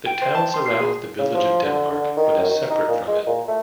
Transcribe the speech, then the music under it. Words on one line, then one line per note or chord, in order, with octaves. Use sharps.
The town surrounds the village of Denmark but is separate from it.
G5
C5
A5
C6
C7
G#4
C#3
F3
D3
D3
D#3
F#2
D#3
D#4
A#2
G#3
A#2
A3